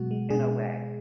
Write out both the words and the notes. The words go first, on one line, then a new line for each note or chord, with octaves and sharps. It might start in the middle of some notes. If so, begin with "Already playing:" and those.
in a way
Already playing: B2 F#3 G#3 F#4
G#3
B2 G#4